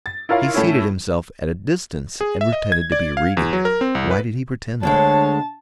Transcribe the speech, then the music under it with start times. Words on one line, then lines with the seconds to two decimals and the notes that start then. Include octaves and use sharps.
He seated himself at a distance and pretended to be reading; why did he pretend that?
0.06 A6
0.29 E4 F4 A#4 C#5 F5
0.54 A2 A3 C#4 E4
2.21 G#4
2.41 E5
2.53 D#5
2.72 G#6
2.92 D5
3.17 F5
3.37 E2
3.53 F#3
3.65 A#4
3.81 C4
3.95 C2
4.11 B4
4.83 D2 D3 G#3 C#5 A5